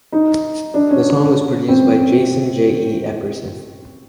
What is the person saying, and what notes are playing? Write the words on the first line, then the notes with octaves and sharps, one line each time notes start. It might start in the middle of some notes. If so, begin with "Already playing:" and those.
The song was produced by Jason "Jay E" Epperson.
D#4
D4
C#4
C4